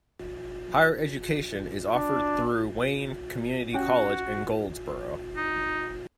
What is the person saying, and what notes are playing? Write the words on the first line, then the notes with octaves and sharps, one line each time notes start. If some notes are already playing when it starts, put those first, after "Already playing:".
Higher education is offered through Wayne Community College in Goldsboro.
D4
C#4 F#4 G4 G5
D#4